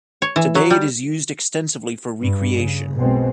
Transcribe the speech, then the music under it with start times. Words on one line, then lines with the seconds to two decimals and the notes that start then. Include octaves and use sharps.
Today it is used extensively for recreation.
0.22 C#5
0.36 E3
0.55 F#3
0.70 G3
2.21 G2
2.54 C#3
2.97 B1 B2 G#3 C4